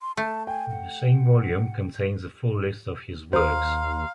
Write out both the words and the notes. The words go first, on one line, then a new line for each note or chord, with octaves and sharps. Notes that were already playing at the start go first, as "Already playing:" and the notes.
The same volume contains a full list of his works.
C6
A3 A5
G5 G#5
F#5
D#2 C5 F5 A#5 C6 D#6